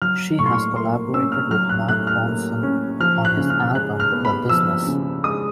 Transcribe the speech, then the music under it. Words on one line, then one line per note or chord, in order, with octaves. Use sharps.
She has collaborated with Mark Ronson on his album, "The Business".
F#3 F6
A2 C#6
C6
C#6
A#3 C6
C#4 E6
F6
F#3 F6
F#6
A2 F#6
F6
A#3
C#4
F3 F6
F#6
C#3
F6
G#3 F#6
F6
B3
B5
F3 E6
C#3
G#3 D#6